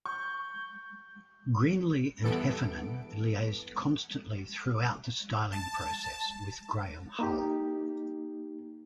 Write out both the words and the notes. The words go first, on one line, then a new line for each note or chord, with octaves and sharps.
Greenley and Heffernan liaised constantly throughout the styling process with Graham Hull.
C#6 G6
E2 G2 E3 B3 A4 D7
A5
A#3 D#4 G4